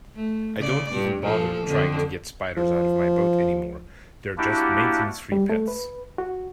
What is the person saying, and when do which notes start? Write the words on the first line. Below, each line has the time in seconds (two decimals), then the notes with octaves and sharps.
I don't even bother trying to get spiders out of my boat anymore, they're just maintenance-free pets.
0.16 A3
0.57 C#3 D5
0.93 G2
1.23 A#2 F3 A4
1.67 F2 D3
2.57 F3
4.38 A#3 D4 E4 F#4 G4
5.32 G3
5.49 A3
5.68 B4
6.18 F#4